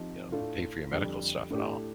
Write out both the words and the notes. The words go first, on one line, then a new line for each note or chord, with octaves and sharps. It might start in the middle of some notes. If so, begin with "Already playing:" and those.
you know, pay for your medical stuff and all.
Already playing: F3 C4 D#4 G4
A2 A3 D4 F4
F2 D3 G3
A2 A3 D4 G4